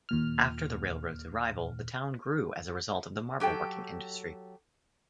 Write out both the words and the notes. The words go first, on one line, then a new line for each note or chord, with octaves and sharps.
After the railroad's arrival, the town grew as a result of the marble-working industry.
D#2 A#2 F6
F#3 G4 A4 G5